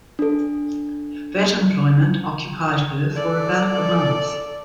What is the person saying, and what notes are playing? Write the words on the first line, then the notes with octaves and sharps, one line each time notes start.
That employment occupied her for about a month.
D4 A4
A4 D5